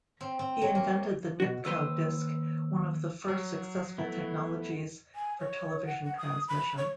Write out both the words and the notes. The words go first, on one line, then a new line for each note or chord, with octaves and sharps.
He invented the Nipkow disk, one of the first successful technologies for television transmission.
C4
C4
F#3
A#3
B2 F#4
D#2 B4 C5 E6
F#3
A3 B3 E4
G#5
C#5
F#5
F#5
D#6
B5
C#5